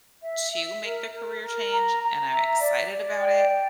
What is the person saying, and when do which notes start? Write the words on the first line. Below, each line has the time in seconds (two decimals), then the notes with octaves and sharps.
to make the career change, and I'm excited about it,
0.22 E5
0.52 E5
0.83 A#4
1.12 A#4
1.41 A#4
1.71 A#5
2.01 A#5
2.31 E5
2.60 D5
2.90 D5
3.20 G5
3.49 D5